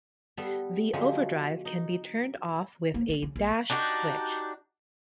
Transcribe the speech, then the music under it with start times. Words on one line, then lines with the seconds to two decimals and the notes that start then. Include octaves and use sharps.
The overdrive can be turned off with a dash switch.
0.37 G3 B3 A4
0.93 D3 F3 F#3 G#3 G4
1.65 D#4
2.94 A#3
3.09 C#4
3.22 C#3
3.36 A#1
3.70 D4 D#4 F#4 G4